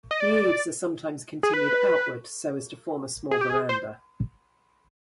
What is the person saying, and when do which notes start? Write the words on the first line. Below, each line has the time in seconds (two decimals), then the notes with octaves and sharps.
The eaves are sometimes continued outward so as to form a small verandah.
0.11 D#5
0.20 D5
1.43 G#4
1.54 B4
3.31 G#4
3.41 G4
3.50 G#4
3.69 C5